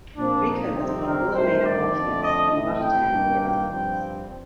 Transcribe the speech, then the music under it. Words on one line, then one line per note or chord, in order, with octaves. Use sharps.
Brico was born Wilhelmina Wolthius in Rotterdam, Netherlands.
A#2 F3 C4 D4
D#4
F2 C3 G3 C4
A#4
G2 D#3 A3 C4 C5
D5
F2 D3 A3
D#5
A2 A3 C4 D#5
G5
G2 D#3 A#3
G5
G2 F3 C4